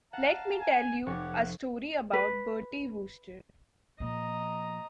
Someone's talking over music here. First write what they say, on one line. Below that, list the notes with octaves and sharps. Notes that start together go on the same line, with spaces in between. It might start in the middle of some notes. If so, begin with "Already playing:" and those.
Let me tell you a story about Bertie Wooster.
F5 F#5 A5 A#5
G#5
F1 G4 C#5 F#5 C#6
B4
A#2 F3 D#5 A#5